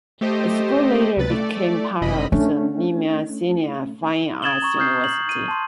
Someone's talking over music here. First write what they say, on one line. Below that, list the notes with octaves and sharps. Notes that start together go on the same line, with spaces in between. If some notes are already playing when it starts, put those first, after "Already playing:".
The school later became part of the Mimar Sinan Fine Arts University.
A3 G4 C5 D#5
C#2 C3 B4 A6
A3 D5
G1 F#2 C3 D#5 B5
A3 C#4 D4
D#6 G#6 A6 E7 F#7 G7
A#5 C#6
D#6 F6 G6 C7
F#7
D#7
A5 C6